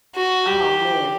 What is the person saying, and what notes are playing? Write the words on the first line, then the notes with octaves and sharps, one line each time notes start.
Oh, man.
F#4
G4